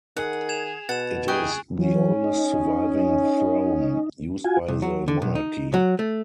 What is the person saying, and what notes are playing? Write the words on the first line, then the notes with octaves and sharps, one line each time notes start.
It is the oldest surviving throne used by the monarchy.
D#3 G#4 F#5
G#6 E7 F7
B2 F#5 A6 E7
E4 G#4 D#5 G5 G#5 C#6 F#6 D7
E3 F#3 C#4
D#4
F4 F#4 G#5
C2
F#3
D3
B1
D#4
F#3
A3